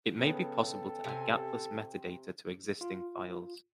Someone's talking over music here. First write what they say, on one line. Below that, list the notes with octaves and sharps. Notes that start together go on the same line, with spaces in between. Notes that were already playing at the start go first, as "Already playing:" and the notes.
It may be possible to add gapless metadata to existing files.
C#3 B3 A4 G5
C3 G#5
F4